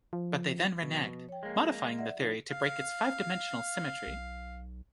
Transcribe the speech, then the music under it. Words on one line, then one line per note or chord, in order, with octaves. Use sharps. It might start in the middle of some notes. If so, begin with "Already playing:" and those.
But they then reneged, modifying the theory to break its five-dimensional symmetry.
F3
B2 F3
C#5 G5
G#3 A#3 G#4
D5 E5 F#5
F3 D#4 F4
F5
B1